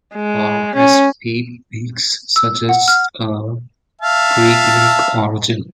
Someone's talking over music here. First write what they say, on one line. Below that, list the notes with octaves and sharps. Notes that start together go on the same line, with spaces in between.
R. S. P. Beekes suggests a Pre-Greek origin.
G#3
C#4
E6
F#5
F6
E5 F5 A5